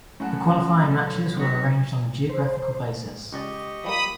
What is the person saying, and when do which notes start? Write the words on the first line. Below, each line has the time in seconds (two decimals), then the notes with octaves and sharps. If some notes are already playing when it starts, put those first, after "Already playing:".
The qualifying matches were arranged on a geographical basis.
0.20 A2 F#3 C#4 F#5 A5
0.82 B2 D3 F#3
1.37 B3 C4 D#4 F#4 G4
2.29 C5
3.33 C#2 G4 D5 D#5 C#6
3.84 F3 G3 A#3 B5 D#6